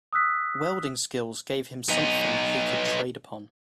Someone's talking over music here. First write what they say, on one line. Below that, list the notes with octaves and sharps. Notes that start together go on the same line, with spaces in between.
Welding skills gave him something he could trade upon.
D#6 E6 F#6 B6
B3 D#4